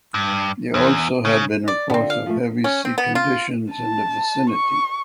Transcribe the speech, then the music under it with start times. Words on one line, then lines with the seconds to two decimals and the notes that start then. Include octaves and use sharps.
There also had been reports of heavy sea conditions in the vicinity.
0.14 G2
0.74 E2
1.25 C#3
1.68 D5
1.90 D3 B3 C4 F4 A5
2.10 F5
2.26 F3 A3
2.64 C#4
2.85 C4
2.98 B3
3.15 F4
3.74 A5
4.50 C#6